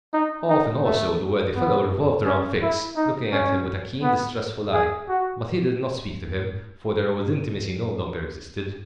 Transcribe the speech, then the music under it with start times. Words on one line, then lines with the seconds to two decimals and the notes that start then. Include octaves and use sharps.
Often, also, the worthy fellow revolved around Fix, looking at him with a keen, distrustful eye; but he did not speak to him, for their old intimacy no longer existed.
0.13 D#4
0.49 D#4
0.85 A3
1.56 B3
2.26 C#4
2.62 E4
2.97 D#4
3.32 C#4
4.03 B3
4.74 G#4
5.09 F#4